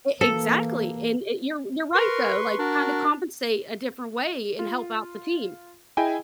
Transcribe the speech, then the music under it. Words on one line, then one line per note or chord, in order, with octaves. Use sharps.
E exactly, and e you're you're right though, like, kinda compensate a different way and help out the team,
E3 A#3 A4
A#4 B4 C6 C#6
D4 F#4 A#4
F4
E4 G#4 D#5 G5 G#5